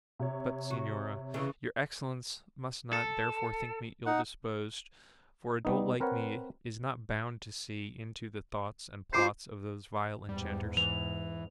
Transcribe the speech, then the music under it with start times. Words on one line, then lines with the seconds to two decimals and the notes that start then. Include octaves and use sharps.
But, senora, your excellence must not therefore think me ill-disposed, for a dolt like me is not bound to see into the thoughts and plots of those vile enchanters.
0.19 C3 C#5
0.70 F#4
1.34 C#3 E3
2.93 A4
4.06 D#4 F#5
5.65 G3 B3 D#4
6.00 C4 A#4 B4 C#5 F#5
9.13 F4 C5 D6 C7
10.29 E2 G#2 G3
10.77 E3 F7